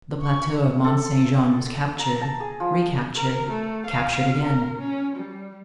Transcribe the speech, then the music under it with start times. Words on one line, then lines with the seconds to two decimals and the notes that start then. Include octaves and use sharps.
The plateau of Mont-Saint-Jean was captured, recaptured, captured again.
0.19 C#6
0.84 A4
1.99 A#5
2.21 A5
2.40 G#4
2.60 F3
3.15 A#4
3.50 A3
3.87 F5
4.42 A#4
4.78 C#4
5.16 G3